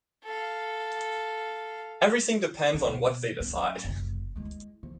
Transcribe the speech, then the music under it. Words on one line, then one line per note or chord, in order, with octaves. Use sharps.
Everything depends on what they decide.
A4 F5
F3
B2
F#3 C#4
F#1 C3
G#3 E4
F3